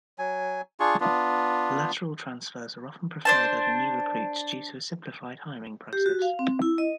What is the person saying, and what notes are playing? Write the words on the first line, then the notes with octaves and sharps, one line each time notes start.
Lateral transfers are often preferred over new recruits due to a simplified hiring process.
F#3 G#5
D4 F4 G#4 C#6
B3 D4 F4
D4 C5 A5
G4
F#4
F5
C4
E4
D#5